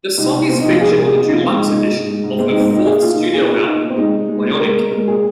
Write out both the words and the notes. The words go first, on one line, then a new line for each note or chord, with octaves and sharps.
The song is featured on the deluxe edition of her fourth studio album "Bionic".
C2 D#4
C2
A#2 C4
D#4
F3 F4
C2 G#4
A#4
C2
G#4
A#2 G#4
D#4
F3 F4
G#3 C4
D#4
G#2
D#4
G#3 D#4
G#2
G#3
G#2
G#3 C4
D#4
G#2 C4
A#3 D#4
A#2 G#4
A#3 F4
A#2 D#4
F4
A#3 G#4
G#4
A#2 F4
A#3 D#4
A#2
C4
G#3 D#4
A#2
G#3
A#2
G#3 A#4
A#2
G#3 A#4
A#2 G#4